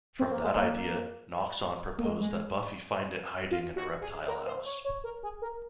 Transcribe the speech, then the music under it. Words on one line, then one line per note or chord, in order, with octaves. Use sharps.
From that idea, Noxon proposed that Buffy find it hiding in a reptile house.
C4
A#3
G#3
A#3
A#3
G#3
G#3
F4
F#4
G#4
A#4
C5
C#5
C#5
A#4
G#4
A#4